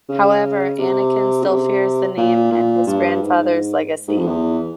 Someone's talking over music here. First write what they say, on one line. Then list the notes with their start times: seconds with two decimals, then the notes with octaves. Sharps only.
However, Anakin still fears the name and his grandfather's legacy.
0.09 C#3
0.79 C3
1.43 C#3
1.47 C3
2.17 A#2
2.52 A#2
2.86 G2
3.21 G#2
4.08 G#2
4.18 F2
4.26 E2